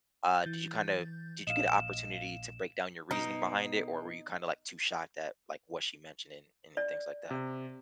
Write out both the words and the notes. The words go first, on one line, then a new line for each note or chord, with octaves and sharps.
Uh, did you kinda did you get an opportunity to break down your reasoning behind it, or were you kinda, like, too shocked at, like, what she mentioned and and then things like that?
E3 G6 A6
A#1 D#5 F5 E7
B2 D#4
D5
C3